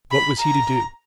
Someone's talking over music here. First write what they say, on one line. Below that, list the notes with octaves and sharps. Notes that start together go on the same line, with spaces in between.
What was he to do?
B5
A#5